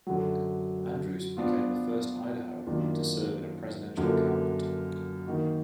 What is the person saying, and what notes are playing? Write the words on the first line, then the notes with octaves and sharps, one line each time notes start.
Andrus became the first Idahoan to serve in a Presidential Cabinet.
F#2 D3 F#3
F3 B3 D4 F4
F#2 D#3 A#3 D4 F4
F#2 D3 F3 A#3
D#3 A#3 D#4 F#4